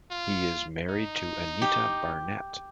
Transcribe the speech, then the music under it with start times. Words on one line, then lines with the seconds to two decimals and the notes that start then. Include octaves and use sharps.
He is married to Anita Barnett.
0.11 F4
0.89 D#4
1.62 G4